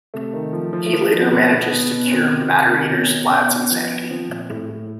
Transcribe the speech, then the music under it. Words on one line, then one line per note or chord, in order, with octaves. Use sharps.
He later manages to cure Matter-Eater Lad's insanity.
C3 A3
D#3
F3
F3
A3
F3 A#3
F3
C4
B2 B3
B2
B2
B2
C#4
D#3 C4
C3
C3
D#3
B2 C#4
B2
B2 C#4
B2
F3 B3
F3
F3 C4
A#2
A2
A2